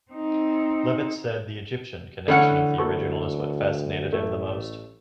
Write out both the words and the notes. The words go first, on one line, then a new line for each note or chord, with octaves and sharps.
Levitz said the Egyptian connection of the original is what fascinated him the most.
C4 D#4
D3 E3 A3 C#4 F#5
D2 A#3 A4 C#6
A1 A3